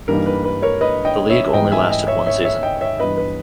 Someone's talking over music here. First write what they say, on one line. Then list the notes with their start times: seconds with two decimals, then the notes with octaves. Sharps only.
The league only lasted one season.
0.08 G2 E3 G3 A#3 D#4 A#4
0.26 B4
0.44 B4
0.62 A#4 C#5
0.81 B4 D#5
1.05 D#5 G5
1.30 C#5 E5
1.53 G#2 E3 G3 B3 D#4 D#5 G5
1.72 E5 G#5
1.90 D#5 G5
2.08 C#5 E5
2.26 C#5 E5
2.44 C#5 E5
2.63 D#5 G5
2.81 C#5 E5
2.99 G2 E3 G3 B3 B4 D#5
3.17 B4